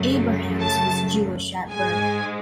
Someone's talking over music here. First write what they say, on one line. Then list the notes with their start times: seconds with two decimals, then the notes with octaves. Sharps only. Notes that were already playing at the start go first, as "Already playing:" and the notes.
Abrahams was Jewish at birth.
Already playing: F#2 C#3 F#3 A3
0.61 A5
1.71 G#2 G#3 G#5